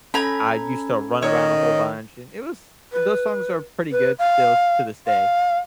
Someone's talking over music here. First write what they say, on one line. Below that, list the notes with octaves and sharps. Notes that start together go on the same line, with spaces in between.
I used to run around a whole bunch, and it was those songs are pretty good still to this day,
C#4 A4 A#5 B5 G#6
D#3 C#5 D#5
B4
B4
F5
F5